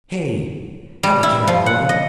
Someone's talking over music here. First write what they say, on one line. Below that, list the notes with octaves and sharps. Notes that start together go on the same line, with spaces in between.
Hey! Have a care, boy.
G3
E4
F3
F#5
D#5